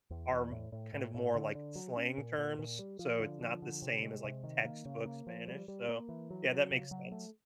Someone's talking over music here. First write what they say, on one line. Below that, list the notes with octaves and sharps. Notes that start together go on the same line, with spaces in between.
are kind of more like slang terms. So it's not the same as, like, textbook Spanish. So, yeah, that makes sense.
E2
E2
A2
A2
A2
A2
D3
D3
F#3
C#4
A#2
A#2
A#2
G3
F3
D3
F3
D3
C3
G#3
C3
D#3
A#3
C#3
A#3
F3
G3
G3
A#3
E3
F#3
F#3
C#3
F#3
A3